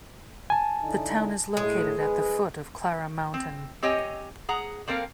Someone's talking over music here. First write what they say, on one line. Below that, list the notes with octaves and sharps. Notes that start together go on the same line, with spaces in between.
The town is located at the foot of Clara Mountain.
G#5 A5
D3 D#4 E4
A2 G#3
G#2 G#4 B4
C4
C4 G4 C#5 D#5 G#5
G#4 F#5 A#5
A#3 C4 A4 A#4 F5 G5